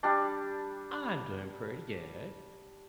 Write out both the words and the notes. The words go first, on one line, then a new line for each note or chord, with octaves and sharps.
I'm doing pretty good.
G3 D4